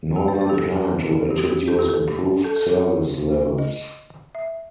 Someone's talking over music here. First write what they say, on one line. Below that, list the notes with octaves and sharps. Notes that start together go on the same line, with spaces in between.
Northern plan to introduce improved service levels.
G4
B4
B4
G4
A4
G4
F#4
G4
A4
G4
A4
A4
A4
A4
D#5
E5